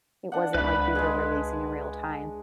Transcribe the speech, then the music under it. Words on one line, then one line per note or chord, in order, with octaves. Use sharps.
it wasn't like these were releasing in real time.
D4 F#5
C#2 B4 B5
G#3 G#4